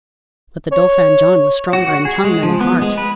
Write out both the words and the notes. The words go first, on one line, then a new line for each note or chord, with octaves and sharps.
But the Dauphin John was stronger in tongue than in heart.
C#5
F#4
F#4
G#4
G#3
F3
B3
G#3
B4